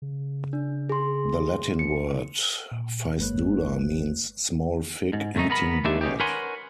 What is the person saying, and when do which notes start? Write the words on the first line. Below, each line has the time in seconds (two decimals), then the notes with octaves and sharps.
The Latin word "ficedula" means "small fig-eating bird".
0.02 C#3
0.53 D4
0.89 G#4 C6
1.79 C#7
2.72 A#2
3.18 G1 G#3 A#3 B4 C#5 F#6
5.13 G#2
5.35 C#2 F#2 A3 D#4
5.50 B3 A#4 B5
5.85 D#3 G#3 A3 D4 E5
6.01 C#4 D#4 G4
6.20 A#4 B4 C#5 F#5 G#5 C6